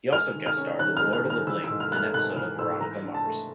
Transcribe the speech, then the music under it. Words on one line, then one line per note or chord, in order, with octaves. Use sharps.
He also guest-starred in "Lord of the Bling", an episode of "Veronica Mars".
G#3 F6
D#3
F6
C#4
D#3 F#6
F6
G#3
F6
D#3
F6
E3 E6
G#2 E6
F6
A3 F6 F#6
G#2 F#6
E3 F6
G#2 E6
E3 A#5
D4
A5
A3